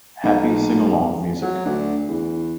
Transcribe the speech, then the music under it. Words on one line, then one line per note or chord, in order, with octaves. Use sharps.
Happy singalong music.
B1
F#3
D2
E2